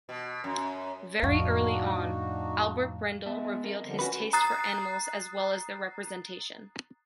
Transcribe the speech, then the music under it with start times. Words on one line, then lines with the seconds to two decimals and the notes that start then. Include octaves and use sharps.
Very early on, Albert Brendel revealed his taste for animals as well as their representation.
0.09 B2
0.44 F#2
1.22 F2 A2 D4 D#4 F#4 F5 C#6
3.26 G#3 B3 E5 A5
3.63 C4 A#4
3.83 D3 F3 G3
3.99 C#4 F#4 B4
4.33 A#5 D#6 F#6 A6 C7